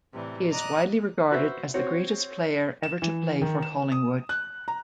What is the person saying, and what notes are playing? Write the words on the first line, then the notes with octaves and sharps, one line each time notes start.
He is widely regarded as the greatest player ever to play for Collingwood.
A2 C3 E3 G3
D5 D#5 A#5 D#6 F#6
F#4 B4 C5 E5
C4 F#4 C#5
E7
E3
D#3
E7
D#6
F#6
A#5